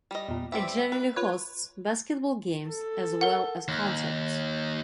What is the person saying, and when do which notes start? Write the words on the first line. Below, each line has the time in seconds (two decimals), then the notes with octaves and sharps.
It generally hosts basketball games as well as concerts.
0.11 G3 D#5
0.28 E2 A#2
0.52 E3 G3 C4 E5 D6
0.92 B4
1.16 F4 B4 C#5
2.69 A4
3.21 A#4 F#5
3.68 D#2